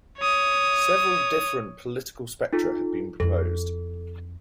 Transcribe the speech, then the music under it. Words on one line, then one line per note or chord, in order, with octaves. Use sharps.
Several different political spectra have been proposed.
C#5 D#6
D#4 F4 A4
F2 E4 A4